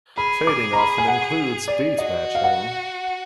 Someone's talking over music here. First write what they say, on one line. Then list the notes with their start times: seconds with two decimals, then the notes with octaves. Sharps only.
Fading often includes beatmatching.
0.17 G#4 B5
0.47 D6
0.73 A#5
0.78 B5
0.98 G#5
1.08 F#5
1.68 D5
1.98 F#4 D#5
2.35 F5
2.44 F#5